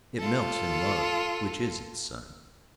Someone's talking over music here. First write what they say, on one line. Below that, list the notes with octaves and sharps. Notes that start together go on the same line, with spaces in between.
It melts in love, which is its sun.
F4 A4